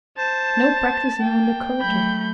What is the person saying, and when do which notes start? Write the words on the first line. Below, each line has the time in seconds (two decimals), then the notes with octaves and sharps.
No practising on the koto!
0.18 C5 A5
1.20 A#3 G5
1.81 F#3 A3 B5 G6